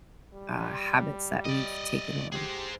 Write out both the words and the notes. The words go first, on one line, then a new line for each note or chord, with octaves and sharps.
uh, habits that we've taken on.
G3
D5 D#5
G4 G#4 C5